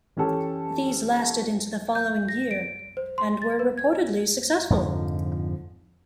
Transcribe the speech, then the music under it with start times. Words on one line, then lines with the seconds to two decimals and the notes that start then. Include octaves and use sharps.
These lasted into the following year, and were reportedly successful.
0.17 E3 C#4 G4 A4
1.95 G6
2.28 A#6
2.51 D7
2.97 C5
3.18 C6
3.42 A6
3.59 B4
3.78 G#6
4.70 F2 G#2 D3 F3